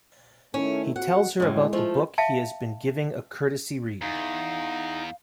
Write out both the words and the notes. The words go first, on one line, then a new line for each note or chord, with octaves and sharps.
He tells her about the book he has been giving a courtesy read.
D#3 A3 C#4 E4
F2 F#4 F#5
F#2 A2 G#3
F3 A3
E5 F5 G5 A5
E2 D#4 F5